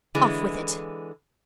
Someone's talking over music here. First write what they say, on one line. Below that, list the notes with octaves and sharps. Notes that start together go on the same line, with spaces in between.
Off with it.
D3 E3 G#3